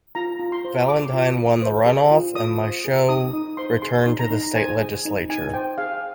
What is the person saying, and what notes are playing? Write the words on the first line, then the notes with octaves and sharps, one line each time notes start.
Valentine won the runoff, and Michaux returned to the state legislature.
F4 A#5
F4
C6
C5
G#4 D6
F4
F4
C5
G#4
F4
F4 D#6
C5
G#4
D#4 D#6
D#4
C5 C6
G#4 C6
D#4
A#5
D#4
C5 G#5
G#4
D#4
D#4 G#5
C5 G5
G#4 F5